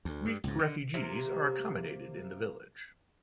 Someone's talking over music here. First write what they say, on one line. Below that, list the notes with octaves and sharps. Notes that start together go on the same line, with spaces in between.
Greek refugees are accommodated in the village.
D2
G2
C#2 G#2
D3
C3 A#3